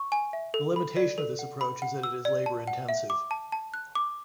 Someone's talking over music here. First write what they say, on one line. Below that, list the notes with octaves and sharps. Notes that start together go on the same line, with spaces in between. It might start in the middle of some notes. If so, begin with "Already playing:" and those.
The limitation of this approach is that it is labor-intensive.
Already playing: C#6
G#5
E5
A4
B5
D5
A4
F#5
B5
F#5
E6
D5
A5
F#5
E5
D6
A5
A5
F#6
D6